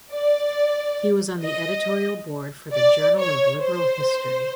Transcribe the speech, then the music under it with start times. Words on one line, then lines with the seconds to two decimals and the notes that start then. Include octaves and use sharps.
He was on the editorial board for the "Journal of Liberal History".
0.11 D5
1.42 D#5
2.73 D5
3.17 C#5
3.61 C5